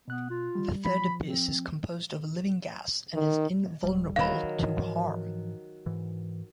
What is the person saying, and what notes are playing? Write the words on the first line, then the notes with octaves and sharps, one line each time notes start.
The third Abyss is composed of living gas and is invulnerable to harm.
B2 B3 F#6
F4
G3
F3 B5
C4
D#3
D#1 B1 G3
D#3 F#3 F5 B5
G#2 E3 F3
G#2 E3